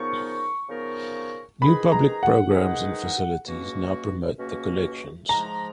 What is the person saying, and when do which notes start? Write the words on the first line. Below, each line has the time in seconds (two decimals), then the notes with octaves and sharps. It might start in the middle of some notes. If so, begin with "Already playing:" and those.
New public programmes and facilities now promote the collections.
Already playing: C#3 F3 B3 D#4 A#4 C#6
0.69 C#3 F3 B3 D#4 A#4
1.62 D#3 G#3 D#4 G#4 B4 B5
1.92 A#5
2.23 F#5
2.53 D#3 G#3 D#4 G#4 B4
3.45 C#2 B2 A#3 C#4 F#4
4.38 C#2 B2 A#3 C#4 F#4
5.29 G#2 F3 G#3 A#5